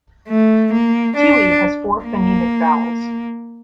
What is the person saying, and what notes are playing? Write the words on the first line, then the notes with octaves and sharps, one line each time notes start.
Tiwi has four phonemic vowels.
A3
A#3
D4
A#3